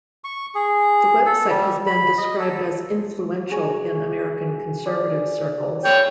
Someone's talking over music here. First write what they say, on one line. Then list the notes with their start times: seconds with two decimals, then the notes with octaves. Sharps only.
The website has been described as influential in American conservative circles.
0.24 C#6
0.55 G#4
1.26 A4
1.50 G3
1.87 B5
2.17 D#5
2.39 A4
3.50 F#4 G#4 C#6
4.86 D5
5.85 C#5 F5 G5 C6